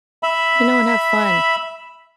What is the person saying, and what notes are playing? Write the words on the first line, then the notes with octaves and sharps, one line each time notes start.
you know, and have fun."
E5 B5